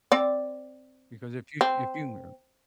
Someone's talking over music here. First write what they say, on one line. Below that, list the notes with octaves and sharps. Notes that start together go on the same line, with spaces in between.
because if you if you, uh
C4 D5
C4